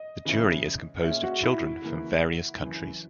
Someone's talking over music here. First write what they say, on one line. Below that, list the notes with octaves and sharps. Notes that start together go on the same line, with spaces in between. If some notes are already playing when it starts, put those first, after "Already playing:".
The jury is composed of children from various countries.
Already playing: D#5
C#3 E3 G#3 C#4 E4
A#2 G#3 C#4 E5
F#4
E4
C#3 E3 A#3
F#1 F#2 E3